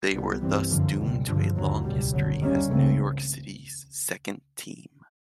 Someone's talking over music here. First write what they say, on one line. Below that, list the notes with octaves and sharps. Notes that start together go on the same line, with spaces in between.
They were thus doomed to a long history as New York City's second team.
C2 A#2 G3 B3
G2 E3 G3 C4
F#2 D3 F3 A#3
C#2 B2 G3
G2 D3 F3
D#2 D3 F#3 A#3
C#2 B2 G3
G1 F#2 D3 F#3
D#2 D#3 G3 A#3 C#4
C#2 C#3 E3 A3 C4